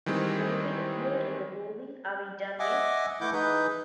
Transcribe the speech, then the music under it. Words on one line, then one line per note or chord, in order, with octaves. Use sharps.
Mowry appeared in the movie Are We Done Yet?
D#3 E3 G3 G#3 C4
D#5 E5 F#5 G#5 D6
E3 A3 E4 F#5 D6 G6
E3 D#4 G#4 B4 G6